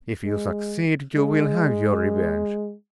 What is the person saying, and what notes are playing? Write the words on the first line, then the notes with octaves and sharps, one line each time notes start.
If you succeed, you will have your revenge.
G#3
G#3